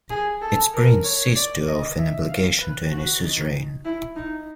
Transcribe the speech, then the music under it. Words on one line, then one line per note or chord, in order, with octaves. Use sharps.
Its prince ceased to owe an obligation to any suzerain.
G#4
A4
A#4
C#5
D5
D#5
E5
F5
B4
F#4
D#4
E4
D#4